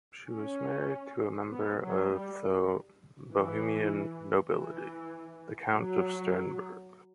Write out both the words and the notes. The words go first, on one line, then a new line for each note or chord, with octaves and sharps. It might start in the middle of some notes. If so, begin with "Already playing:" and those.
She was married to a member of the Bohemian nobility, the count of Sternberg.
C#4
B3
F#3
G3
E3
E3
F#3